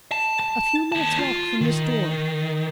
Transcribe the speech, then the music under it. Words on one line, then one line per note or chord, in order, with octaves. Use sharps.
"A few minutes' walk from this door."
A5
A5
D#2 A5
F4
D#3